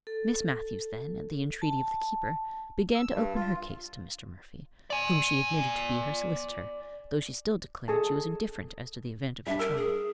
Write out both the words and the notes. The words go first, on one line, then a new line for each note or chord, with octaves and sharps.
Miss Matthews then, at the entreaty of the keeper, began to open her case to Mr. Murphy, whom she admitted to be her solicitor, though she still declared she was indifferent as to the event of the trial.
A4
A5
E6
G2
F4
D5 G#5
G#4 A4 A5
G3 D4 E5
A#4 E6
G#4